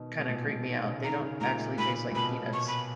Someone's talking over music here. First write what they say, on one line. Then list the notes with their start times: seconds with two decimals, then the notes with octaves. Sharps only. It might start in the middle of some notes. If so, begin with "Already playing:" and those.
kinda creep me out, they don't actually taste like peanuts.
Already playing: B2 D#3
0.19 B2
0.29 A#2
0.47 B2
0.66 D#3
0.84 C#3
1.04 D#3 A#5
1.22 C#3
1.41 A#2 A#5
1.60 A#2
1.78 A#2 B5
2.11 A#2
2.15 B2 B5
2.53 C#6
2.67 B5